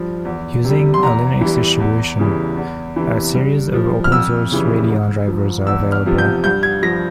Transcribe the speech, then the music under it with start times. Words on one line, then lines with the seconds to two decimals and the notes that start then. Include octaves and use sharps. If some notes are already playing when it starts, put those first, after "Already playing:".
Using a Linux distribution a series of open source Radeon drivers are available.
Already playing: G2 F3
0.25 E2
0.64 C3 G3
0.94 C6
1.03 E2 A#5
1.41 E3 G3
1.80 E2
2.19 C#3 E3 G3
2.57 E2
2.96 C3 E3
3.35 G2
3.74 F3
4.04 F6
4.12 F2 E6
4.51 C#3 E3 G3
4.89 G#2
5.28 F3
5.66 E2 E6
5.92 F6
6.06 C3 F3
6.18 G6
6.44 G2 G6
6.63 G#6
6.82 F3 A#6